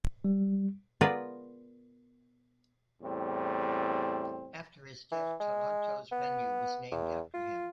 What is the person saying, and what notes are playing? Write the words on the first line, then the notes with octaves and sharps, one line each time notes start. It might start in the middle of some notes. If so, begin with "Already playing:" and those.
After his death, Taranto's venue was named after him.
G3
B3 F4 G#4 A#4 B4 D5
E2 A2 G3 C4
E3
G#3
B3
E2
F4